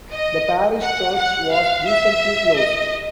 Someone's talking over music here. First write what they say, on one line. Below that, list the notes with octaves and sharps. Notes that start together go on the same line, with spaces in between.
The parish church was recently closed.
D#5
F#5
F#5
F5
E5
D#5